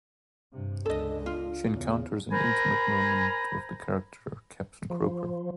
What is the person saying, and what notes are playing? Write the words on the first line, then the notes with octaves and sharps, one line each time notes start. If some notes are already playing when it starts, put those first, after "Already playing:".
She encounters an intimate moment with the character Captain Croker.
G2 C3
C#2 D4 A4 D#5
F4
E2 C#3
A#4 C5 G#5 A#5 B5
F3